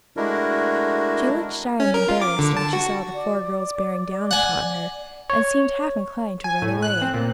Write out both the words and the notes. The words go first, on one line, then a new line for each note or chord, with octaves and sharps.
She looked shy and embarrassed when she saw the four girls bearing down upon her, and seemed half inclined to run away.
G#3 A3 D4 E4 F#4 A#4
C#4
A#4
F4
D6
D3
A5
F#4
D5
F#5 G#5
C#5
G#5
A2
F#6
C4
A#2